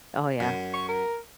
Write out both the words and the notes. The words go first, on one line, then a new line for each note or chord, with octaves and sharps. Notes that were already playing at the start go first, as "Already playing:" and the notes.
Oh, yeah.
F#2
C#6
A#4